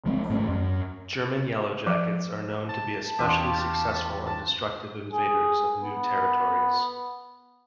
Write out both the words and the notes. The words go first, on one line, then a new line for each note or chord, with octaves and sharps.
German yellowjackets are known to be especially successful and destructive invaders of new territories.
F3 G#3 C4
G#2 A3 C#4
F#2
F3
A5
E2 C#4 F4 G4 D#6
A5
G#4
B3